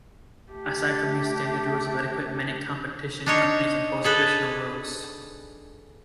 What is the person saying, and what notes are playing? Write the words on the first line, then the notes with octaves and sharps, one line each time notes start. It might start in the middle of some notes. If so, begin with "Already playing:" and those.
Aside from these standard rules of etiquette, many competition companies impose additional rules.
A3 G4
D4 D#4 C#5
G#4 A4 B4